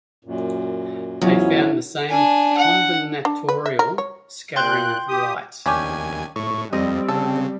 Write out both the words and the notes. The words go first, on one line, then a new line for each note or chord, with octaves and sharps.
They found the same combinatorial scattering of light.
F#2 A#2
E2 G#2 F#3 C#4 F4 C#5
D4 G#5
F#5
D4
B4
E5
A#4
C#5
A#2 G5 C6 F#6 G6
G4 D#6
D#2 C#4 D4 G4 G#5
A2 C#6
F2 G3 C4 D#5
C#3 A4